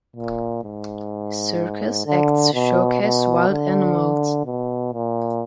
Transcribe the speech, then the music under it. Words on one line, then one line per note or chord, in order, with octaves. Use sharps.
Circus acts showcased wild animals.
A#2
G#2
D3
B2
B2
D3
B2
A#2